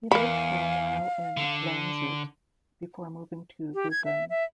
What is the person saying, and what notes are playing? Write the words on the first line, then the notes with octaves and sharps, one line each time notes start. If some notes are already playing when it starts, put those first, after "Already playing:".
He lived for a while in Lantzut before moving to Lublin.
E2 A#4 F5 B5
D3
G4
G#6
E5
E5